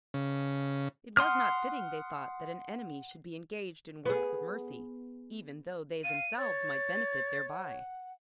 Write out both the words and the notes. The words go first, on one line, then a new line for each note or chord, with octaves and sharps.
It was not fitting, they thought, that an enemy should be engaged in works of mercy, even though they themselves might benefit thereby.
C#3
F#5 C6 D#6 F6
B3 G#4
F5 D#7
C#5 A6
F#5